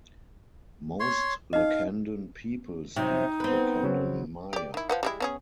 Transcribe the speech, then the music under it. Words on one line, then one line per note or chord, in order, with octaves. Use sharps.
Most Lacandon people speak Lacandon Maya.
C#5 C6
D#4 D#5 F5
C3 F#3 D#4 G5
B3 C4 B4
C#3 F#3
G4 D5
D#3 E4
F3 B4 F#5
G3 G#3 E4
B3 C#4 G#4